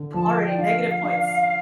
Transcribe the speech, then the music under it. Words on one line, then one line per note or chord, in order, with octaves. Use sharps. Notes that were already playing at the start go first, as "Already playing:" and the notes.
Already negative points.
Already playing: D3
F3 A5
G5
D5
D4 F5
D4